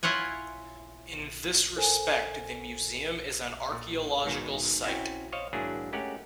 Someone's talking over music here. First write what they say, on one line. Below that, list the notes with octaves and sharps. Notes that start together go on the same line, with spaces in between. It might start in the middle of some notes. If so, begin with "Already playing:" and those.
In this respect the museum is an archaeological site.
E4 F4 C#5 F#5 G#5
A4 A#4 C5 G#5
A#2
G#2 B2 D#3 D#4
C4 C#4 E4 F#4 G5
C5 C#5 D#5 F5
G#1 F#3 A#3 D4 E4 G#4
G#3 A3 C#4 G4 A#4 F#5